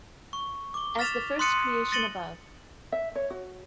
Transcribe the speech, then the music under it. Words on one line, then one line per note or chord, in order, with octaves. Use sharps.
As the first creation above.
C#6
D6 G7
F6 A6 B6 E7 F7
C6 D#6 F#6 A6 C#7 D#7
A6 A#6 C#7 D#7 F#7 G7
E5
C#5
F#4